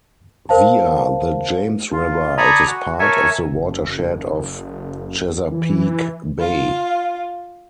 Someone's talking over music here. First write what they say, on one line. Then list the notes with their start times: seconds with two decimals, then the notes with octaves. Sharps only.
Via the James River, it is part of the watershed of Chesapeake Bay.
0.49 A#4 C5 F5 A5
1.92 F4
2.38 A4 D5 G#5 A#5 B5 D#6
2.67 F#4
2.99 A4 A#4 C#5 E5 G#5
3.52 F#1
5.51 E3
6.38 F4